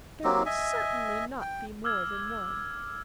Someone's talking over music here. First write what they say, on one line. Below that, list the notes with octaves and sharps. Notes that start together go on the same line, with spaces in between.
There will certainly not be more than one.'
F#3 A#3 C4 G4
D#5 E5 G#5
G5
D6 E6 F6 G#6